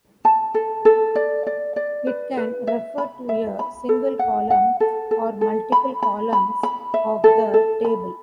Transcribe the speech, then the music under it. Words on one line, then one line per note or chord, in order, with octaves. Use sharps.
It can refer to a single column, or multiple columns of the table.
A5
A4
A4
D5
D5
D5
B4
B4
E5
B5
E5
B5
A4
F#5
F#5
A4
A4
A4
B5
B5
B5
B5
E5
A4
A4
B5